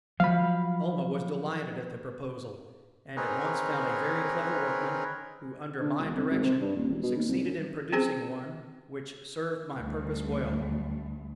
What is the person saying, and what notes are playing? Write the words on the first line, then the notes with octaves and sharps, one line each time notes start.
Almah was delighted at the proposal, and at once found a very clever workman, who under my direction succeeded in producing one which served my purpose well.
F3 F#3 F5 B5
C4 D#4 G#4 A#4 B4 C#5
D3
E1
C2
G#1
C3
G2
D#1
E1
B2
D#2
C2
F#2
C4 C#4 G#4 C5 G#5
D2 G3